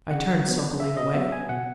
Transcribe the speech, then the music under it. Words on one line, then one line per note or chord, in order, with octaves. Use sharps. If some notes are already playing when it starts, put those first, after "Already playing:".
I turned sulkily away.
C#3 F#5
F#3 B3
C#3 E5
D#5
F#3 B3 E5
G#5
B2 F#5